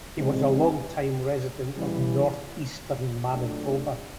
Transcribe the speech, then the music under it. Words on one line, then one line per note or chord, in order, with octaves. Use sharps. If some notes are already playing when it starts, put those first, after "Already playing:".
He was a long-time resident of northeastern Manitoba.
E3 G#3 C4
C#3 E3 G3
A#2 F#3 A3 D4